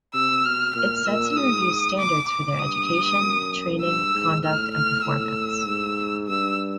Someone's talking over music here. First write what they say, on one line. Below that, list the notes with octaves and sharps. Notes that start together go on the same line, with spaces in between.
It sets and reviews standards for their education, training, conduct and performance.
C3 E6
B2 F6
A#2 F6
A#2 E6
G#2 D#6
D6
D6
G2 D#6
F#2
G2 E6
G#2
A2 F6
F6
A2 E6
G#2
G2 E6